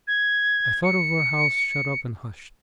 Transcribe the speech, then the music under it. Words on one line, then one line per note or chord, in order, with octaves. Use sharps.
I thought of our house shut up and hushed.
G#6
C#7